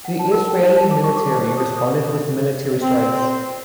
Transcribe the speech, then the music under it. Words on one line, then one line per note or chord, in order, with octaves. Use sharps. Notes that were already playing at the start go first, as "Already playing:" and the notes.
The Israeli military responded with military strikes.
F#5
A5
A#4
G5
E4
A5
D6
C#6
D6
A5
C5
D#6
C4